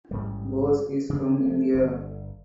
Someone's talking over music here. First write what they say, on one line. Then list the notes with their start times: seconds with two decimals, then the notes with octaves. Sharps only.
Bose is from India.
0.11 A1 G#2 G3
1.10 C#3 E3 D4
1.46 F3 A3
1.74 G1 D3